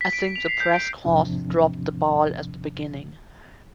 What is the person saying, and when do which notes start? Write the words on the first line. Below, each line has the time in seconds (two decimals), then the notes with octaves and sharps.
I think the press corps dropped the ball at the beginning.
0.01 B6
0.13 D7
0.36 F7
0.48 C7
0.60 G6
0.74 D7
1.05 E2 G#2 C3 F3 C4 D4